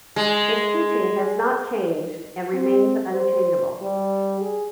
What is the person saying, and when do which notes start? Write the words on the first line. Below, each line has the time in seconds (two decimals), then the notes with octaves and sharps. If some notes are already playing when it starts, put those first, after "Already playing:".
This teaching has not changed and remains unchangeable.
0.16 G#3
2.54 C4
3.14 C5
3.82 G3
4.41 G#4